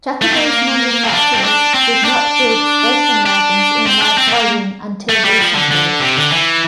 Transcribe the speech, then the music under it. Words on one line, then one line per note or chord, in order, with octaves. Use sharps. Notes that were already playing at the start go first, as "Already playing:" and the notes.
Japanese manufacturers did not build station wagons in large volume until recently.
A3
C4
A#3
C4
D4
C4
D4
C4
D4
D4
C4
D4
C4
A3
A#3
A3
G3
F3
D3
D3
C3
D3
E3